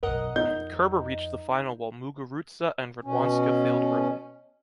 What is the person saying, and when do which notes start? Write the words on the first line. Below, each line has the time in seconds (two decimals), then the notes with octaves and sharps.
Kerber reached the final while Muguruza and Radwańska failed early.
0.03 B1 F#2 A#4 D#5 F#5
0.36 F2 D#4 G6
3.04 B2 C#4